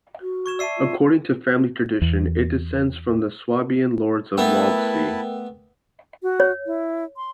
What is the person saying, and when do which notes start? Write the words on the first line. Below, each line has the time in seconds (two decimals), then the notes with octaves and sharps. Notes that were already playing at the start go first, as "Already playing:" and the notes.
According to family tradition, it descends from the Swabian Lords of Waldsee.
0.21 F#4
0.46 C#6 G#6 E7
0.59 D5 E5 A5 E6 C7 D#7
0.77 F4
2.02 E2
4.38 A3 B3 E4 A#4 B4 G5 A5 E6
6.23 F#4
6.40 C#5
6.66 E4
7.17 C6